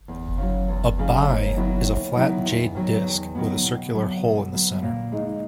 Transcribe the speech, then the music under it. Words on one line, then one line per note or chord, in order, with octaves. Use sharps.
A "bi" is a flat jade disc with a circular hole in the centre.
E2
C#3 F#3
E2
C#3 F#3
D#2
D#3 F#3 B3 E4
D#2
D#3 F#3 B3 E4
E2
D#3 F#3 B3
E2
D#3 F#3 B3
B2
F#3 B3
B2
F#3 B3
A#2
G#3 D#4